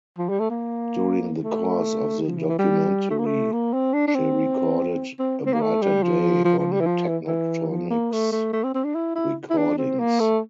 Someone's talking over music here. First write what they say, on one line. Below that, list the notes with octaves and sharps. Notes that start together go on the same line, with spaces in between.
During the course of the documentary, she recorded "A Brighter Day" on Techntoniks Recordings.
F3
G3
A3
A#3
A3
F3
E3
E3
G3
A3
A#3
A3
A#3
C4
D4
D4
C4
C4
C4
A#3
A3
G3
F3
F3
F3
G3
E3
F3
E3
E3
F3
A#3
A3
A3
A3
C4
C4
D4
E4
E4
E4
D4
C4
A#3
A3